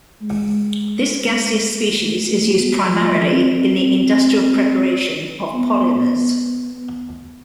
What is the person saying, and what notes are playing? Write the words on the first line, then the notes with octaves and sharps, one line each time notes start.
This gaseous species is used primarily in the industrial preparation of polymers.
G#3
A3
A3
B3
F3
C4
C4
B3